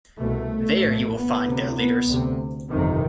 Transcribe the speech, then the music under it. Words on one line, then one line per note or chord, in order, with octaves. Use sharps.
There you will find their leaders.
C2 B2 A3
A#1 A2
B3
D2 C3
B3
D2 C3
G1 F2 C3 D#3